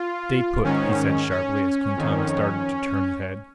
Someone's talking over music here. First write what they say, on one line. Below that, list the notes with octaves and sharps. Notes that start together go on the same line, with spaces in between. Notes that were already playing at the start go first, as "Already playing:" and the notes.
"Stay put," he said sharply, as Quintana started to turn his head.
Already playing: F4
G#2 D#3 C#4
C#4
F2 D#3